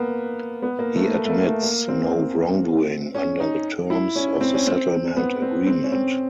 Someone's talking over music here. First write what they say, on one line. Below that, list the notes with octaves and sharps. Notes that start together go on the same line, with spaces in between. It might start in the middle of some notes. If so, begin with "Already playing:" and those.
He admits no wrongdoing under the terms of the settlement agreement.
Already playing: A#3 B3
B3
A#3
A3
A3
A3
A#3
A3
A#3
C4
C#4
D#4
E4
C#4
C4
C#4
C4
B3
C4
C4
C#4
C4